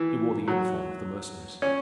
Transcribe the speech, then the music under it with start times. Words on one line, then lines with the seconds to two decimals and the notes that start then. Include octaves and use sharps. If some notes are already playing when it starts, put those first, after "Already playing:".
He wore the uniform of the Mercenaries.
Already playing: E3
0.48 F#3
1.62 C#4